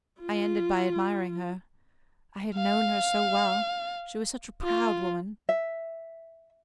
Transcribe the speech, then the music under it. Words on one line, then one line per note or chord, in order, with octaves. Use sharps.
I ended by admiring her. I had known her so well--she was such a proud woman!
F4
F5
F4
E5